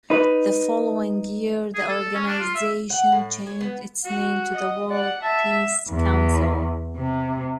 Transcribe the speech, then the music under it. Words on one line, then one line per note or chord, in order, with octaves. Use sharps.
The following year the organisation changed its name to the World Peace Council.
D#4 B4
G#4
A4
C#4
D4
F4
E5
F#5
A2
C#5
B3
F#4 F#5
D#5
D5 F#5
E5 A5
E2
C3